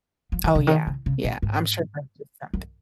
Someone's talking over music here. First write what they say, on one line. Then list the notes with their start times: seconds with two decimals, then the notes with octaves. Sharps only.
Oh, yeah, yeah, I'm sure that's just something
0.32 F3
0.44 D#3
0.55 C#3
0.67 D#3
0.87 C#3
1.06 C#3
1.24 A#2
1.42 G#2
2.54 F#2